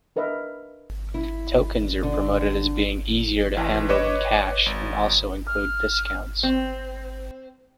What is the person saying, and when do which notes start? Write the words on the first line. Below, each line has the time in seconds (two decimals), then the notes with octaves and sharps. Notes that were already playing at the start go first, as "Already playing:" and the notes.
Tokens are promoted as being easier to handle than cash, and also include discounts.
0.16 D4 A#4 B4 D#5 E5
1.14 E4
2.03 D3
3.57 A1 E3
3.89 B4 C#5 D#5 D6 E7
4.66 G#1
5.47 F6
6.43 C4